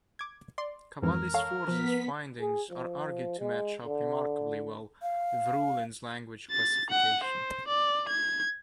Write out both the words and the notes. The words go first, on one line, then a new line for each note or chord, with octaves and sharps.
Cavalli-Sforza's findings are argued to match up remarkably well with Ruhlen's language classification.
D6 G#6
D5 C6
F2 G#2 E3 A#4
A4 C#5 F5
F3 B3 B6
G#4
F3
G#3
D3
F5
A6
F#5
C5
D5
G#6